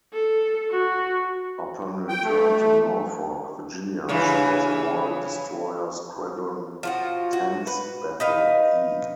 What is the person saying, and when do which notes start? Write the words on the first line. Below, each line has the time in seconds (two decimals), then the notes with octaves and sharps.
Upon return to Norfolk, Virginia she was awarded Destroyer Squadron Ten's Battle 'E'.
0.14 A4
0.71 F#4
2.09 G5
2.24 A3
4.09 G2 C#3 E3
6.83 F3 F4 F#4
7.33 F#4
7.67 B4
8.20 D#4 B4 F5